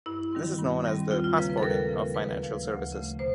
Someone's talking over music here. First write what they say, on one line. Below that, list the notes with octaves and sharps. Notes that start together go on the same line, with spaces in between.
This is known as the "passporting" of financial services.
G2 E4
D#3 G3 C4
G2
D#3 G3 C4
D#2 F4
F4
C#3 F3 A#3 B4
B4
A4
D#2 A#4
C#3 F3 A#3
D2 B4
C#3 F3 A3
D2
C#3 F3 A3
B2 C5